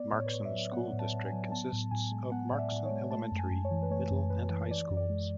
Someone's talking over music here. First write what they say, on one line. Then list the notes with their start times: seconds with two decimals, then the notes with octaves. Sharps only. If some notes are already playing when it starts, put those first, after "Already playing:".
Markesan School District consists of Markesan Elementary, Middle and High Schools.
Already playing: B3 D5
0.12 A2
0.20 C#5
0.26 B4
0.32 A2 C#5
0.45 E5
0.52 F#3
0.72 B3 F#5
0.93 A2
0.99 A5
1.13 A2
1.26 G#5
1.33 F#3
1.52 B3 A5
1.72 A2
1.91 A2 G#5
2.12 G#3
2.32 B3 F#5
2.51 A2 D5
2.58 E5
2.72 A2
2.85 C#5
2.91 G#3
3.11 A3 A5
3.31 F#2
3.38 G#5
3.51 F#2
3.65 C#5
3.71 E3
3.83 B4
3.91 A3 C#5
4.10 F#2
4.30 F#2 B4
4.50 E3
4.71 E3 D5
4.90 F#2
4.97 D5
5.10 G#3